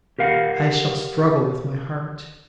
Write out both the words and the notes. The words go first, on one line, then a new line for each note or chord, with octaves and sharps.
I shall struggle with my heart.
G4 A#4 F5 F#5